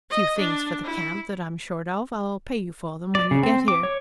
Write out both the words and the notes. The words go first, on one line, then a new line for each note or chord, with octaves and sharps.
A few things for the camp that I'm short of; I'll pay you for them when you get here.
D#5
D4
E4
D5
C#3
C4
D6
C#5